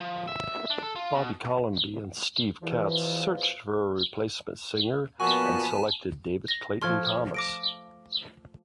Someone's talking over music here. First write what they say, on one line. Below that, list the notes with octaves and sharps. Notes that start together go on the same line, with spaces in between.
Bobby Colomby and Steve Katz searched for a replacement singer and selected David Clayton-Thomas.
F3
E5
D4
A4
F4
B2
E2 B2 E3 F3
A#2 F3 B3 F#4 G#5 A5 B5
A#6
F3 A3 C6 F6 G#6
D6 A#6 D7